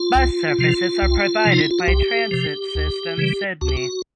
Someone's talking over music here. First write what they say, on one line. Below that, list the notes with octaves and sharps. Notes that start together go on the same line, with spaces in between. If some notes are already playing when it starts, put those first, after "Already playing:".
Bus services are provided by Transit Systems Sydney.
Already playing: F4
C2
C3 F3
C2
C3 F3
D#4
E4
F4
F#4
C2 G4
C3 F3
D2
C#3 E3 G3
D2 F#4
G4
F#4